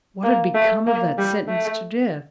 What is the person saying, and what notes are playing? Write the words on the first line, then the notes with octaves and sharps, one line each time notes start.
What had become of that sentence to death?
A#3
A3
A#3
G3
A3